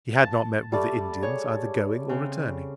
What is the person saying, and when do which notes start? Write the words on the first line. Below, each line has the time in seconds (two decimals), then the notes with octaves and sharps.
He had not met with the Indians, either going or returning.
0.23 A5
0.72 G3 A3 D5
1.22 G#4 C#5 D6
2.09 C#3 C4